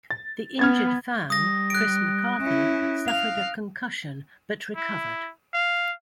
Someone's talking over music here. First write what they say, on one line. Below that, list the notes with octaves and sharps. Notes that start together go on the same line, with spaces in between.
The injured fan, Chris McCarthy, suffered a concussion but recovered.
A6
B3 F6 G#6 A6
G3 D#6 A#6
F#6 D7
C#4 E4
F5 F7
E4
F5